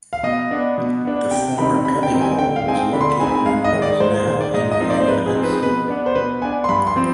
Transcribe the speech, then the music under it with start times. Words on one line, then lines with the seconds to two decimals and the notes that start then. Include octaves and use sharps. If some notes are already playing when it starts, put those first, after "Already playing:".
The former Cubby Hole was located in what is now Henrietta Hudson.
0.13 F5
0.23 B2 D#5
0.51 B3 D4
0.78 B2
1.05 B3 D4
1.31 C3 G5
1.58 D#3 G3 C4 D#4 B5
1.85 C3 B5
2.03 G5
2.12 D#3 G3 C4 D#4
2.21 G#5
2.39 D3 G5
2.56 F5
2.66 G#3 C4 D#4 G#5
2.75 G5
2.93 D3 B5
3.01 C6
3.10 B5
3.20 G#3 C4 D#4 G#5
3.27 B5
3.35 G#5
3.46 G#2 F5
3.64 D#5
3.73 D#3 G#3
3.82 D5
4.00 G#2 C5
4.14 C5
4.27 D#3 G#3 C5
4.41 D5
4.54 G#2 D#5
4.71 D#5
4.80 F3 C4 D#4
4.90 D5
5.00 C5
5.08 G#2 B4
5.26 G#4
5.35 F3 C4 D#4
5.44 B4
5.53 G#4
5.62 B2 B4
5.88 B3 D4
6.06 C5
6.15 B2 B4
6.42 B3 D4 G#5
6.64 C6
6.69 G2 B5
6.87 C6
6.96 F3 C4